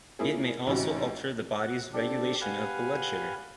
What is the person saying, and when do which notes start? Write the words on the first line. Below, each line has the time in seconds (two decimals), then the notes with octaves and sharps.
It may also alter the body's regulation of blood sugar.
0.19 A#3 C#4 E4 F4 G#4
0.67 A1 G#2 C3 C#4 E4 F#4
1.60 F#5
1.94 C4 D4 G4 A4 D5
2.42 G4 B4 F5 F#5 G#5